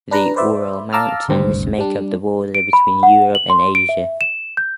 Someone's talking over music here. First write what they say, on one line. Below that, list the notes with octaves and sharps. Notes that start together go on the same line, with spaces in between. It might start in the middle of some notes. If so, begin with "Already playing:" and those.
The Ural mountains make up the border between Europe and Asia.
D4 B4 A#5
B4 C5 D5 E5
F5 A5 A#5 D6 E6 F6
G#1 D2 G2 C3 C4
G3 D4
D7
B5
F#5
F#7
C6
D7
E5
E7
G6